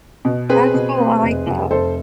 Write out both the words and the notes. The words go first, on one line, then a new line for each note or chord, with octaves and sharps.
That's cool, I like that.
B2
C4 G#4 B4
B2
C4
F1
F1
F1 A4 C5